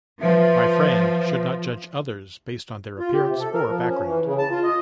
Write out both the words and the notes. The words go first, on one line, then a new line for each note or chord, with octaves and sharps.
My friend should not judge others based on their appearance or background.
F3 B4 E5
F4
G4
C3
A4
A#4
F3
C#4
E3
C#3
A5
F4
D#5